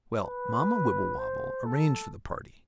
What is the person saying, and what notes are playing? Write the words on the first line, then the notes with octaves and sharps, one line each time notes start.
Well, Mamma Wibblewobble arranged for the party.
B4
C5
A4